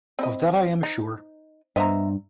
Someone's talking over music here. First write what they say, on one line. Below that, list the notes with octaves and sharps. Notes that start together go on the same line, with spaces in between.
Of that I am sure.
C4 E4 D#5
D#4
G2 B3 C5 D#5 E5 A#5